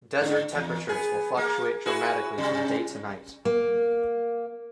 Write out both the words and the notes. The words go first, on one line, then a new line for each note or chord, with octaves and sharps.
Desert temperatures will fluctuate dramatically from day to night.
G#2 D3
E2
B3 G#4
A#3
E4 F#4 G#4
C3 G3 C#4
A#3